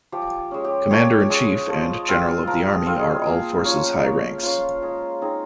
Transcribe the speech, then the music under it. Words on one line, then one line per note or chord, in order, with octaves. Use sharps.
Commander in Chief and General of the Army are all-forces high ranks.
F3 G4
G#3 C#4
G4
F3 C#5
G#3 C#4
F3
C4 F4
F3 A#4
G#4
C4 F4
G#4
A#3 C5
C#4 F4 C#5
A#3 C#5
C#4 F4 C5
G#3 G#4
C4 D#4 G#4